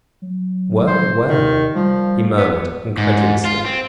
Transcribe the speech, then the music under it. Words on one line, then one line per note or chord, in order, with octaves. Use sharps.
"Well, well!" he murmured incredulously.
F#3
C5
C3 D#3
F3 G3
B3
G#2
F4
C4